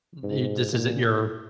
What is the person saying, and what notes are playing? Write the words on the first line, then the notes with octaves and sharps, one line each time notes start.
Th this isn't your,
G#2
A#2